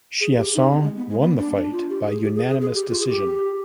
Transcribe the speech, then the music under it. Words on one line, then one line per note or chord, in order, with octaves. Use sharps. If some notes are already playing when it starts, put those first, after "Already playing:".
Chiasson won the fight by unanimous decision.
G#4
G4
D#4
C4
G#3
B3
G#3
B3
D4
D4
F4
G4
G#4
G4
G#4
G#4
G#4
G4
F4
G#4
G4